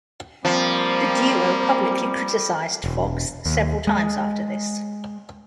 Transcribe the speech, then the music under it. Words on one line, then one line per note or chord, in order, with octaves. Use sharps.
The duo publicly criticized Fox several times after this.
F3 G3 A#3 C4
E1
D#2
G#3